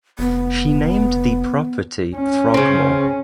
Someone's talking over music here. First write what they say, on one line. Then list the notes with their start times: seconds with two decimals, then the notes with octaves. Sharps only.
She named the property Frogmore.
0.19 F1 B3
2.16 C#4
2.54 C#3 C4